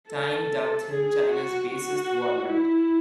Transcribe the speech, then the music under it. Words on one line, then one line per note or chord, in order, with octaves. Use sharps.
"Time" dubbed him China's "basest warlord".
A4
G#4
F#4
F#4
E4